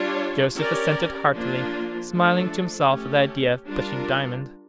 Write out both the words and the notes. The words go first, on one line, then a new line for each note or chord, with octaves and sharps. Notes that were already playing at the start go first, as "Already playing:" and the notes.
Joseph assented heartily, smiling to himself at the idea of pushing Diamond.
Already playing: G3 D4 F4 C#5
C#4 G4 A#4 D5
F3 A#3 D4 F4
F3 A3 D4 A4
A3 C#4 G4
G3 D4 F4 A#4